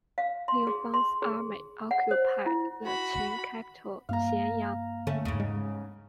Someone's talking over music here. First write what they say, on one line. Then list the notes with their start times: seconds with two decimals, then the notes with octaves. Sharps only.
Liu Bang's army occupied the Qin capital Xianyang.
0.18 F5
0.48 C6
0.67 G#4
0.94 C6
1.22 G#4
1.91 F#5
2.11 C5
2.46 E4
2.84 F#4 B5
4.09 G2 A#3 F5 A#5
5.07 D3 A3 C#4
5.25 E2 G#2 C#3
5.40 G#3